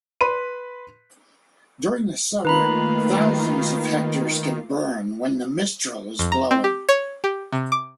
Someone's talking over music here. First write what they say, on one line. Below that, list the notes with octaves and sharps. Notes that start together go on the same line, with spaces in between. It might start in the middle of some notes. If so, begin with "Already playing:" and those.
During the summer, thousands of hectares can burn when the mistral is blowing.
B4 B5 C6 D#7
D#3 A3 A#3 F4 B4 A#5 B5
F2
A#5
C4
G4
C#5
G4
C3
D6